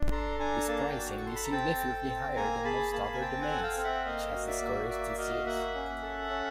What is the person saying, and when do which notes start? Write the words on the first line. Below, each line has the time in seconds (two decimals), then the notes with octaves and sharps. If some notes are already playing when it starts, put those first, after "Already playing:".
This pricing is significantly higher than most other domains, which has discouraged its use.
Already playing: D4
0.11 A4 A#5 C6
0.39 D4 G#5 A#5
0.68 A#3 A5
0.78 A#5
0.89 G5 A5
0.96 F#4
1.18 C#6
1.24 A4 C6
1.35 B5
1.44 A#5
1.52 C4 G5 A5
1.80 A4
2.09 C4
2.36 A#3 G#5 A#5
2.64 G#4 A5 B5
2.93 A#3 A5 B5
3.13 G#5
3.20 C4 G5 A5
3.42 F#5 G#5
3.49 A4
3.63 F5 G5
3.77 C4
3.84 E5 F#5
4.05 A#3 D#5 F5
4.33 F#4
4.47 D5 E5
4.61 A#3
4.89 A#3 D5 E5
5.17 F#4 D#5 F5
5.46 A#3 E5 F#5
5.75 C#4
6.03 A4
6.30 C#4